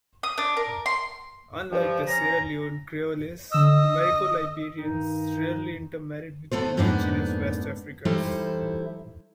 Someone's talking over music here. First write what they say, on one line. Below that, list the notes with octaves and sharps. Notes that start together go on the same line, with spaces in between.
Unlike the Sierra Leone Creoles, Americo-Liberians rarely intermarried with indigenous West Africans.
D#6
D4
A#4
C6
G2 F3
C#4 A#5
D3 D#5 E6
G2 D#3 D#4
A3 B3 A4 C5
F2 G#2 A#3 B3 D4 D#4
E3 G3 D#4 E4 A4 C5